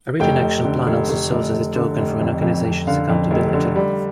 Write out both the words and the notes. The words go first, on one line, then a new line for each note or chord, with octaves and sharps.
A written action plan also serves as a token for an organization's accountability.
F1 G5
F1
D3
F1
F1
F1
F1
D3
F1
F2
F2
F2
D3 F5
F2
F1
D3
G3